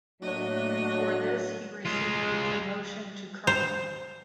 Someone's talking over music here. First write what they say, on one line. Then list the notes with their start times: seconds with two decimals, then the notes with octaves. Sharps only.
For this he received a promotion to colonel.
0.22 A2 F#3 A3 A#3 D4 F#4 C#5 D#5
1.85 G#3 F4
3.47 C5